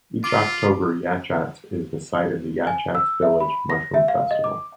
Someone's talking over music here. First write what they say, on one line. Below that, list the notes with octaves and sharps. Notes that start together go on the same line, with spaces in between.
Each October, Yachats is the site of the Yachats Village Mushroom Festival.
F4 D6
G#5
E6
E5
B5
A#6
E5
F5
D#5
D6